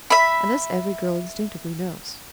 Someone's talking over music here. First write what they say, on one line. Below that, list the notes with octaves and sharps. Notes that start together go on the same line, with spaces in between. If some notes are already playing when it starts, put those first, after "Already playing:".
And this every girl instinctively knows.
E5 B5